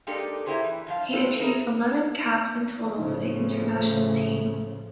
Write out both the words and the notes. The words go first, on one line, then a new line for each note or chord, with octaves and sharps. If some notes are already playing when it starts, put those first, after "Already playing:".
He achieved eleven caps in total for the international team.
G#3 A#3 D4 D#4 G4 A4
A#3 B3 E4 G4 G#4 C5
E3
G2 F3 F4 F5
A2 F#3 G3 A4 C5
E3 D#4 G#4 A#4
A2 C#3 F3 D#4
A3